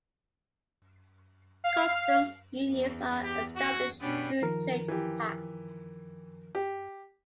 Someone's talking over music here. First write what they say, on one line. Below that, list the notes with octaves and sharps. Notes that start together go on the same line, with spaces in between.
Customs unions are established through trade pacts.
F5
E2
G4
F#4
B2 G3 B3 C#4 D4
D#3 F3 A#4
E3 G4
G4